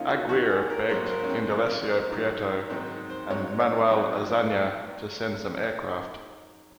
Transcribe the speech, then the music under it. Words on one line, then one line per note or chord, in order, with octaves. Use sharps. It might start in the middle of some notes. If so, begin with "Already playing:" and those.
Aguirre begged Indalecio Prieto and Manuel Azaña to send some aircraft.
Already playing: F#2 D#3 A#3 C#4 D#4 F4
F#4
F#2 D#3 A#3 F#4
G#4
A#4
G#2 F#3 A#3 C5
C5
A#4
C#4
C4
G#2 F#3 A#3
G#2 D#3 F#3
G#2 D#3 F#3 C4
C5
G#2 F#3 C4 C#5
C#5
G#2 F#3 C4